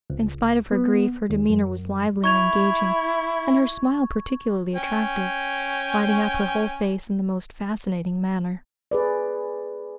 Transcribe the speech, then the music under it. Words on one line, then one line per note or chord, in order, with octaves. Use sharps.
In spite of her grief her demeanour was lively and engaging, and her smile particularly attractive, lighting up her whole face in the most fascinating manner.
C#2
B3
D#2
F#2
E4 C#6 G#6 F7
C#4 G5 G#5
G#4 B4 D5